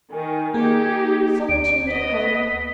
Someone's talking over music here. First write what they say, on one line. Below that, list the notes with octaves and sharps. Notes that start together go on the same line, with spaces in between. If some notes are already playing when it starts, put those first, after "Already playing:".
Solitude at home!
D#3 G#5
A#3 D#4 G4 G#4 G#6
D2 D7
B3 D#5 B6